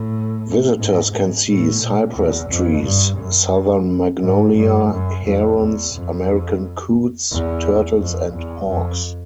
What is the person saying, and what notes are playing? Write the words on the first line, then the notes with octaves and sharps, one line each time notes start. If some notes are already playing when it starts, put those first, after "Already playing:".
Visitors can see cypress trees, southern magnolia, herons, American coots, turtles and hawks.
Already playing: A2
G#2
G#2
A2
A#2
E2
F2
G2
F#2
G#2
G2
F#2
F2
E2
F2
E2
F2
E2
F2